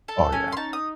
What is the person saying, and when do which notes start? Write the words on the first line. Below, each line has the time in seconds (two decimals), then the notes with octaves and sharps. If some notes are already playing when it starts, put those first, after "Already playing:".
Oh, yeah.
0.08 A4 A5
0.32 C#4 G#5
0.52 C6
0.57 D#4 A5
0.73 D#6